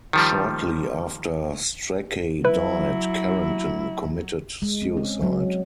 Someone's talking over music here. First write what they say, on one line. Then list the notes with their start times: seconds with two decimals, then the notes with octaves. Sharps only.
Shortly after Strachey died, Carrington committed suicide.
0.13 D#3 F3 G3
2.45 F#3 E4 B4
4.62 G#3
4.82 C4
4.97 C#4
5.22 F#3